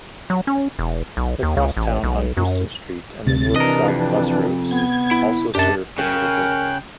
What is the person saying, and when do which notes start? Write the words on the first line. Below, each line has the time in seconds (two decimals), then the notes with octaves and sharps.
The crosstown on Houston Street and the north-south bus routes also serve the neighborhood.
0.30 F#3
0.47 C#4
0.79 E1
1.17 B1
1.43 D#2
1.57 C#2
1.77 A1
2.03 B1
2.37 F#2
3.27 D2 C3 A6
3.56 E3 D4 A#4 D#5
3.88 F2
4.71 B3 G#6
5.11 E4
5.55 F#2 D4 G4 A5
5.98 C#3 A#4 G5 F#6